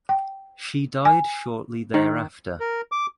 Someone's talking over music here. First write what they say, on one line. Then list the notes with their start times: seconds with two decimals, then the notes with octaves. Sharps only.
She died shortly thereafter.
0.09 G5
1.05 G#5
1.94 D#3
2.60 A#4
2.92 D6